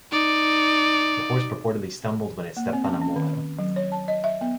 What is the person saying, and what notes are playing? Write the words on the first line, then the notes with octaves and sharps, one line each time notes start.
The horse purportedly stumbled when it stepped on a mole hill.
D#4 D5
A#3
C4
C#4
C#4
D#3
F#3
C#5
A5
D#5
E5
B3